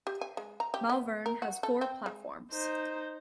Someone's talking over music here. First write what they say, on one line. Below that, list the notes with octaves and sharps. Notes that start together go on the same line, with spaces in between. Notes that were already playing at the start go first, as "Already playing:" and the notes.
Malvern has four platforms.
G4
G#5
G#3
A#5
G4
B3
A#4
F#4
A4
C4
G#3
D#4 C5